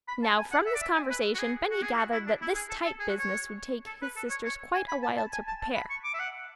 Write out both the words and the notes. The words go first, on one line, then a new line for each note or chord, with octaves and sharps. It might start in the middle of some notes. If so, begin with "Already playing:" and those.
Now from this conversation Benny gathered that this type-business would take his sisters quite a while to prepare.
B5
A5
G#5
F#5
E5
D5
E5
G#5
B4
F#4
G#4
F#4
G#4
E4
F#4
E4
D4
E4
G#4
A4
A4
G#4
F#4
C#5
A4
B4
A4
C#5
C#5
G#5
B5
A5
A5
G#5
A5
A5
B5
C#6
D6
E5
F#5